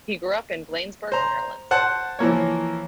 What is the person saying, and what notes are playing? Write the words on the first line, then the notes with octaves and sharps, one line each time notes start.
He grew up in Bladensburg, Maryland.
C5 A#5
C5 F#5 A5
E3 F3 A#3 C#5